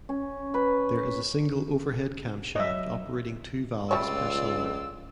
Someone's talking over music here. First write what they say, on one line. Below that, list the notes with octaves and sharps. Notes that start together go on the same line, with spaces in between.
There is a single overhead camshaft operating two valves per cylinder.
C#4
B4
F#3 C#5 D#5 E5
C#2 G3 A3 F4 C#5 D5 E6